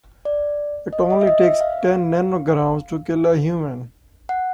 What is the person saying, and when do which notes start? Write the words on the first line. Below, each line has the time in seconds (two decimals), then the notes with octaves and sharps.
It only takes ten nanograms to kill a human.
0.25 D5
0.93 D#5
1.10 D#5
1.21 E5
1.27 D#5
1.44 E5
1.61 F5
4.29 F#5